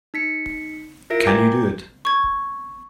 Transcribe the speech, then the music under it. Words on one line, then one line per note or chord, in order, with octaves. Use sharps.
Can you do it?
D#4 B6 C#7
E4 F4 A#4 E5 A#6 D7
G5 G#5 A#5 D6 G6 G#6
C#6 G#6